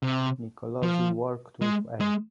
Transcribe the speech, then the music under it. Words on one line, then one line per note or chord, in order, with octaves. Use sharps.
Nicolosi worked with A.
C3
F3
G#3
G#3